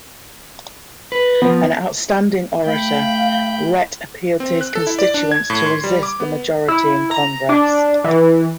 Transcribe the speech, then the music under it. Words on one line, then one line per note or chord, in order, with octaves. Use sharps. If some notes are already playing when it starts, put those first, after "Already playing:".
An outstanding orator, Rhett appealed to his constituents to resist the majority in Congress.
B4
F3 B3
A3 F5 G5 B5
C4
F#6
A4
E4
D5
D4
G#6
A2
C6
G3
D6
B3
E4
A#5
D4
E3